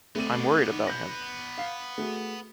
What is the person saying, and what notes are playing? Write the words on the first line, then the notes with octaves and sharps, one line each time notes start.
I’m worried about him.
A3 B3 C4 D5 D#7
D#3
G6 A#6
F5 C7
A3 F#4 G#4